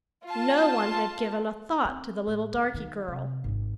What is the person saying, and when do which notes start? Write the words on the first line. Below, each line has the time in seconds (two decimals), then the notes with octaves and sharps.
No one had given a thought to the little darky girl.
0.24 F4 A5
1.85 C4
2.27 A2
2.54 D3
2.74 D#3
3.08 C3
3.44 G#1 C#4